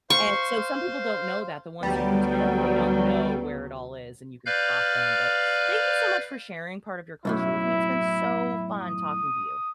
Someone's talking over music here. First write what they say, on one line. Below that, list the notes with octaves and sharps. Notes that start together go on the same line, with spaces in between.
and so, some people don't know that, the ones who pretend, they don't know where it all is, and you can spot them. But, thank you so much for sharing part of your culture with me, it's been so fun talking to you.
C5 F5 C6 C#6
D2 F#3 G3 B3
B4 D5 F5 F6 G6
B1 F#2 A2 E4
D#6